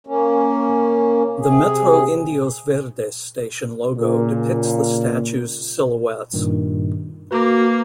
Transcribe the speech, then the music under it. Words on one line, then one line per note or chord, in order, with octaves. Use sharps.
The Metro Indios Verdes station logo depicts the statues' silhouettes.
A#3 C#4
C3 G#4
A#2 C#3
G2 A#2 D#3
A#3 F#4 B4 A#5 D6